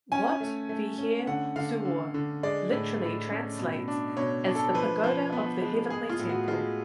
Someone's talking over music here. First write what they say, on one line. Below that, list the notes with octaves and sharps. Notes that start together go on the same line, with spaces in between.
Wat Vihear Suor literally translates as the "pagoda of the heavenly temple".
C#4 G#5
A3
A3
C#4
D3 F#5
D3 F5
D3
D3
G#3 D5
A2
A2
C#4
B2
D4
B2 C#5
D4
A4
F3 B4
F3
B3
G#3
G#3 G#4
F4
A2
F#4
G#3 F4